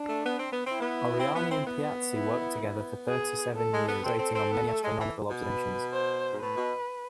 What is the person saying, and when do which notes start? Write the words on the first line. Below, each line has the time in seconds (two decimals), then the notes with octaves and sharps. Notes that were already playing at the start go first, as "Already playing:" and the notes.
Oriani and Piazzi worked together for thirty-seven years, cooperating on many astronomical observations.
Already playing: D4
0.08 A3
0.24 B3
0.38 C4
0.52 B3
0.65 C4
0.72 E4
0.80 B3
1.19 C4
1.35 B3
1.51 C4
1.66 B3
2.13 E4
2.62 B3
3.08 G#4
3.55 A3 A4
3.72 G#3
3.87 B3
4.03 C4 A4
4.18 C4
4.34 C4
4.51 B3
4.66 A3
4.82 G#3
4.98 E3
5.30 B2
5.46 B4
5.93 C5
6.32 G#2
6.40 A2 B4
6.56 B2